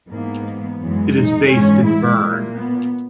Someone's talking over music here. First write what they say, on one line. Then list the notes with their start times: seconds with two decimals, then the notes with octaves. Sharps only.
It is based in Bern.
0.09 G#2 E3 A#3 B3
0.79 F#2 E3 G#3
1.15 D#4
1.49 G#2 E3 G#3 C#4
1.84 E4
2.19 A#2 A#3
2.54 B3